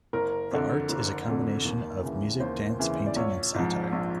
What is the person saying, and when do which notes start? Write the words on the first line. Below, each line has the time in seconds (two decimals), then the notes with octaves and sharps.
The art is a combination of music, dance, painting and satire.
0.13 F#1 A#4
0.51 F2 D3
0.89 F#1
1.27 F2 D3
1.65 D#2
2.03 C#3 E3
2.40 D#2 C5
2.79 C#3 E3
3.07 D5
3.16 A#1 C#5
3.54 G#2 F3
3.92 A#1